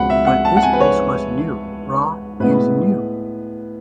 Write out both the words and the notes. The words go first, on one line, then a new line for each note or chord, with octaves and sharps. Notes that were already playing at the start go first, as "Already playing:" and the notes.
But this place was new, raw and new.
Already playing: C#2 B2 C#4 F#5 B5
E5
F#5
A5
F#5
G#5
B4
C#5
A2 G#3 B3 B4